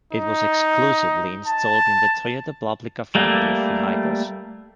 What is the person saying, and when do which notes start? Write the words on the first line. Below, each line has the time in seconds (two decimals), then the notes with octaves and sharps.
It was exclusively installed in the Toyota Publica family of vehicles.
0.13 D#4
1.47 A5
3.15 G3 A3 A#3